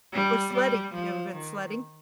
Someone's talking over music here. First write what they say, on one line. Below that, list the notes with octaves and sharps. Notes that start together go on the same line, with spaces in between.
Or sledding. You never been sledding?
G3
G3
F3
D#3